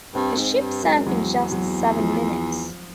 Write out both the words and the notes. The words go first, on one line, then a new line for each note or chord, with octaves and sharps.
The ship sank in just seven minutes.
G2 C4
G#2
G2
F#2 G#3
E2 F#3
F#3
F3